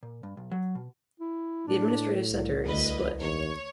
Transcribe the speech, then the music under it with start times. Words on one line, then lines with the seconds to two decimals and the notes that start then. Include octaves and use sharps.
The administrative center is Split.
0.03 A#2
0.23 G2
0.37 B1
0.51 F#3
0.75 B2
1.20 E4
1.68 A2 D4
2.28 C2
2.65 D2 B4 D#5
3.20 D#2 C#5